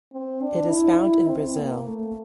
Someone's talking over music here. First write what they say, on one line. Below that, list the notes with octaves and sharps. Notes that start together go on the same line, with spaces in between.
It is found in Brazil.
C4
D4
E4
E4
C4
A#3
A3